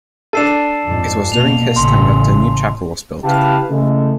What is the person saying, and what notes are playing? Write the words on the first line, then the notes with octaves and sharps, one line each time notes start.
It was during his time that the new chapel was built.
D4 A4 A5 C7 E7
F2 G#2
B2 A#3 F7
A1 C#3 C6
C#3 E4 G4 B4 F5 A5
C#3 E3 G#3 A3